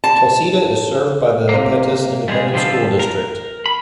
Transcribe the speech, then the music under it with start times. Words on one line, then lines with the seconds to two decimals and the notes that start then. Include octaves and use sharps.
Tulsita is served by the Pettus Independent School District.
0.04 A5
1.49 C3 A#3
2.28 G3 G#3 F4 G#4
2.53 D3 F3 G3 D#4 F4 A4
3.00 A#4
3.66 B5